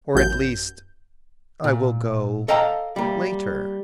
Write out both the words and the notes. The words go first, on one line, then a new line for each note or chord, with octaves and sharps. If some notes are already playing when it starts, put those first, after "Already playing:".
"Or, at least, I will go--later."
A1 F#2 G6
A#2
A4 D#5 F5 G5 A5 A#5
G3 A#3